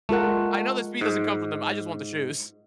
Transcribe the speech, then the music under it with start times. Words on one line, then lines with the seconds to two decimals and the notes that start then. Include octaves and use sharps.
I know the speed doesn't come from them. I just want the shoes.
0.09 G#3 A3 F4 A#4 F#5
1.01 G#2